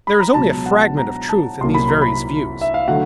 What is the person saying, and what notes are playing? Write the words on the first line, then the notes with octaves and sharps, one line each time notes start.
There is only a fragment of truth in these various views.
B5
A#5
C#2 B2 F#3 A5
F#5
A#5
A5
C2 A#2 F#3 A#3 C6
B5
A#5
B5
E5
F5
D3 F#3 A3 F#5